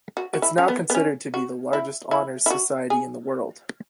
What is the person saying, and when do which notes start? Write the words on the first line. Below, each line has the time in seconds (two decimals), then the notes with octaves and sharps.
It's now considered to be the largest honors society in the world.
0.17 F#4
0.34 F#4
0.42 E4
0.58 C#4
0.68 B3
0.90 B3
0.95 C#4
1.34 F#4
1.73 E4
2.11 E4
2.46 E4
2.50 F#4
2.90 G#4